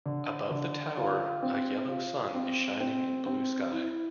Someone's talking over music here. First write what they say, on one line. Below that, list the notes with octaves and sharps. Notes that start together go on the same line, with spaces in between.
Above the tower a yellow sun is shining in blue sky.
D3
D3
F4
C4
F4
C4
C4
C4
E4